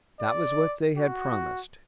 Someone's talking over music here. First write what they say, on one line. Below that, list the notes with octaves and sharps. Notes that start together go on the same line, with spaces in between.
That was what they had promised.
D5
F#4